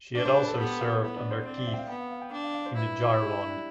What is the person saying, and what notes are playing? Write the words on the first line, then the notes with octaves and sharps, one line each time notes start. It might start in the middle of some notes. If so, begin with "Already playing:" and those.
She had also served under Kieth in the Gironde.
D4 D5
C5
B4
A4
B3 G4
F4
B3 E4
D4
C5
C4 D5
D5
E5
G5
F5
B3 G5
F5
F5
G5
D4 G5
F5
F5
C5
E4 B4
G4
D4